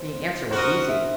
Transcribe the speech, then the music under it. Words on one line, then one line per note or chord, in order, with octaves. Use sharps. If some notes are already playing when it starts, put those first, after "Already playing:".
The answer was easy.
Already playing: C5
F#4 A#4 C5 D#5
E5